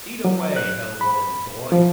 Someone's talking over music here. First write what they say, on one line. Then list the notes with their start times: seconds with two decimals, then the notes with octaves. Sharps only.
Eat away, hell-born boy!
0.25 F#3
0.56 F#6
1.01 B5
1.72 F3